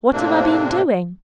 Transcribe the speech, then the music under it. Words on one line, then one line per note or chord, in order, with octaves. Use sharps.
What have I been doing?
A2 C3 A#3 C4 D4